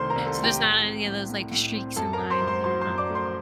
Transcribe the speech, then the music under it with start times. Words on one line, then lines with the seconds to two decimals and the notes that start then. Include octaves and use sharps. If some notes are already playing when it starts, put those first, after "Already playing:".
so there's not any of those, like, streaks, and lines, and whatnot.
Already playing: C2 C3 D#3 A3 C5 C6
0.10 A#4 A#5
0.16 C2
0.26 A4 A5
0.38 A3
0.44 G4 G5
0.60 A2
0.83 C4
1.06 A2
1.28 A2
1.51 A2
1.74 C4
1.96 F#2 A4 A5
2.13 A#4 A#5
2.19 F#3
2.30 C5 C6
2.41 F#2
2.47 C5 C6
2.64 F#3 C5 C6
2.81 C5 C6
2.87 F#2
2.98 D5 D6
3.10 A3
3.15 C5 C6
3.26 C6